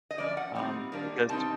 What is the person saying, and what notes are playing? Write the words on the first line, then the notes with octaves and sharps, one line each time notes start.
um, because
D#5
F3 A#3 C#4 D5
F#5
A#2 G3 C4 D#4
D#3 G3 A#3 D4
B2 G3 C4 D#4 A5